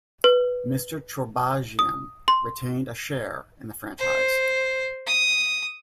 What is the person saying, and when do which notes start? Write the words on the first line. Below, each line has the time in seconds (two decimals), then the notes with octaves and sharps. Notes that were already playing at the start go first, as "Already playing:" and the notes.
Mr. Chorbajian retained a share in the franchise.
0.24 B4
1.79 D#6
2.28 C6
3.99 C5
5.07 D#6